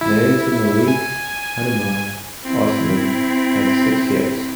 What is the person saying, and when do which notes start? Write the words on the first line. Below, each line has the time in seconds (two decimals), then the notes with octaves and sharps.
Married to Melek-hanuma, Osman had six heirs.
0.01 E4
0.88 G#5
2.44 C4 E4